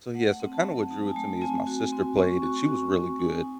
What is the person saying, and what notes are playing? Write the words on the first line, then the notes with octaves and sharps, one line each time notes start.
So, yeah so kinda what drew it to me is my sister played and she was really good,
A3 F#5
C4
A5
F#3
D#4 A5
G#5
A3 A5
C4 G#5
F#4 G#5
C4 C6
C4 C#6
F#4 C#6
F#4
C4
D#4 G#5